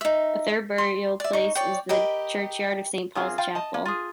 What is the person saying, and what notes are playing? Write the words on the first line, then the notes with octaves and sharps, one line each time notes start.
A third burial place is the Churchyard of Saint Paul's Chapel.
D#4 E5
C6
D5 E5
D#4 C#6
C#5 D5 G5
G4 A#4 D#5 B5
F#2 C4 F4 G#4
F4 F5 G5
D#5 A5
A#3
F4 G#4